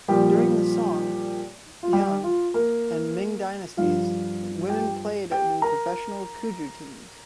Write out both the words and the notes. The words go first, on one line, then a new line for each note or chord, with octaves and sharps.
During the Song, Yuan, and Ming dynasties, women played in professional Cuju teams.
A#2 F3 G3 G4
F4
G3 G4
F4
A#3 A#4
G2 F3 F4 F5
G4 G5
G4 G5
A#4 A#5